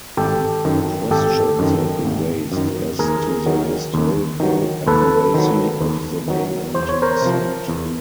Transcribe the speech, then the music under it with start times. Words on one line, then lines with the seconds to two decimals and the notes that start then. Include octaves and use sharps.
Questions have been raised as to the historical accuracy of the name and sect.
0.17 G#1 G4 A4
0.65 F#2 D#3
1.11 G#1 G4 A4
1.59 F#2 D#3
2.05 G#1
2.52 F#2 D#3
2.99 D#2 G#4 A#4
3.46 D#3 F#3
3.94 D#2
4.40 D#3 F#3
4.86 D#2 A4 B4
5.34 D#3 F#3
5.81 D#2
6.28 D#3 F#3
6.74 E2 C5
6.89 C#5
7.02 A#4 C5
7.22 C3 F3
7.68 E2